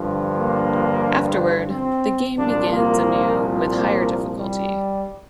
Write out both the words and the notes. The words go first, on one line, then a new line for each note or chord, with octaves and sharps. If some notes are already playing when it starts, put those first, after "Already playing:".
Afterward, the game begins anew with higher difficulty.
Already playing: G2 D3 F3
A#3
C4
C2 A#2 F3 D4
A#3
A#3
G3